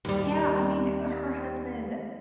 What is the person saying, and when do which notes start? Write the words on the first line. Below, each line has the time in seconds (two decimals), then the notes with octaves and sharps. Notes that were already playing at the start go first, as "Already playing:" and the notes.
Yeah. I mean, her husband
0.05 D#2 G3